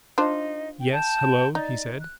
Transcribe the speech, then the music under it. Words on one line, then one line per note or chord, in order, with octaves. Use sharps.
"Yes--hello!" he said.
D4 D#4 F4 C5
G5
G5 A5 G6
D#4 D5
F#6